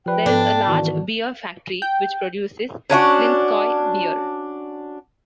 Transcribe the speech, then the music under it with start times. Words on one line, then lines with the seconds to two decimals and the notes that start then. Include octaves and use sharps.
There is a large beer factory, which produces "Klinskoye" beer.
0.06 F3 G4 B4 D5 G5
0.26 G#2 B3 D4 A4
0.67 D#3 E3 F#4
1.82 G5
2.90 C#4 D4 F4 F#4